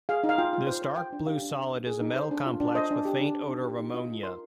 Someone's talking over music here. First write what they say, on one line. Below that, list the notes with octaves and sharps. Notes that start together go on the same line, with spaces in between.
This dark blue solid is a metal complex with faint odor of ammonia.
G#4 F5
D#4
F5
F4 G5
F4
C5
C5
C5 G5
D4
G4 F5
D4
C5
D#4
G#4
D#4
C5
D4
F4
D4
C5 D#5
D4
G4
D4
C5
D#4
G4
D#4
F4 D#5
F4
A#4 C6